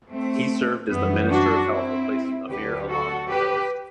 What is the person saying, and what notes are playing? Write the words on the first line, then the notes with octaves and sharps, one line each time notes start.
He served as the minister of health replacing Amir Alam in the post.
A3 C4
F#2 E3 G3 B3
D4 F#4
C4 E4
D2 D3 F#3 G4 B4
F#4 A4
G4 B4